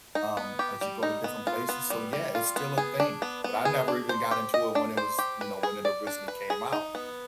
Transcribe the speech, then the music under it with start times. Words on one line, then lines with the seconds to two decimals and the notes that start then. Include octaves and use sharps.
um, as you go to different places so yeah, it's still a thing, but I never even got into it when it was, you know, when it originally came out.
0.15 D#4
0.37 B3
0.59 G4
0.81 G3
1.03 D#4
1.24 B3
1.47 F4
1.69 B3
1.90 G3
2.13 G3
2.35 F4
2.56 B3
2.78 G#4
3.00 D4
3.22 B3
3.44 B3
3.65 G#4
3.88 D4
4.09 C5
4.31 G4
4.54 D#5
4.75 D4
4.97 C5
5.19 G4
5.41 B4
5.63 G#4
5.85 D5
6.07 D4
6.28 B4
6.50 G#4
6.72 D#4
6.95 B3